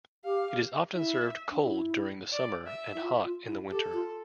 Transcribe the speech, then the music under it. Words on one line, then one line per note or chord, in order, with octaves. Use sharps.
It is often served cold during the summer, and hot in the winter.
G4 F5
E4 E5
D4
E4
D5
E5
E4
F4
F4
E4
G4 A4
F4